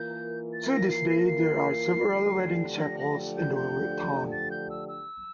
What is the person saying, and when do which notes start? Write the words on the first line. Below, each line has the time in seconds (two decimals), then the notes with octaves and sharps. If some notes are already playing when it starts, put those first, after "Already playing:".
To this day, there are several wedding chapels in the town.
Already playing: E3 A#3 F4 A#4 G6
0.53 A6
0.72 A#6
0.91 C7
1.10 C7
1.18 A#6
1.28 C7
2.05 D3 F3 A3 D4 G4
2.81 A#6
3.00 A#6
3.38 G6
3.56 G6
4.32 A6
4.51 G6
4.70 E6
4.89 E6